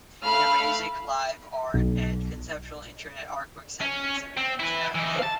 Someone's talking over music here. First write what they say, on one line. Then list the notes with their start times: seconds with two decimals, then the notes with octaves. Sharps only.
Their music, live art and conceptual Internet artworks have been exhibited internationally.
0.23 A3 F5 B5 F6
1.74 B1
3.81 C#4
4.37 C4
4.60 E4 B4
4.95 E3 D#4
5.19 F5 A5